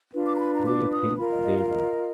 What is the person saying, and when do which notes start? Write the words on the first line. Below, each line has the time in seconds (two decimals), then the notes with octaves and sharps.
Do you think they do?
0.12 D4 F4 B4
0.26 D6
0.34 A#5
0.39 B5
0.53 A#5
0.65 D6
0.91 D#6
1.17 F4 A#4 B5
1.30 D#5
1.43 D#5
1.57 F5
1.69 D#5